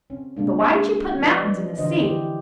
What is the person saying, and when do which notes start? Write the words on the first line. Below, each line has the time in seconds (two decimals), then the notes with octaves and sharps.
"But why did you put mountains in the sea?"
0.10 C4 C#4
0.37 C3 G#3 A#3 D4
1.20 F3 C#4 B4 D5 D#5
1.78 D3 E3 F#4 C5 D#5
2.01 E4 G4 B4